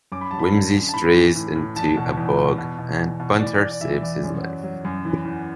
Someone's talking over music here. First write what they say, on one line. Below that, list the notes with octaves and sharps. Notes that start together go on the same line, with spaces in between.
Wimsey strays into a bog, and Bunter saves his life.
F#2 D6
B5
F#3 A5
B5
D3
F#2
A5
A2 B5
E3
A2
A2
E2 A5
B2
E2
B2
B2
B2
E2
B2
E3 D5
E3 D5
D5
E3 E5
E2 D5
F#2
F#3
F#3
F#2
E3
E2